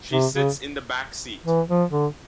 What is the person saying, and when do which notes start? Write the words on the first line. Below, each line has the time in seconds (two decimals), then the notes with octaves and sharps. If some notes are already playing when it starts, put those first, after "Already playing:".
She sits in the backseat.
0.11 C3
0.34 C#3
1.45 E3
1.68 F3
1.91 D3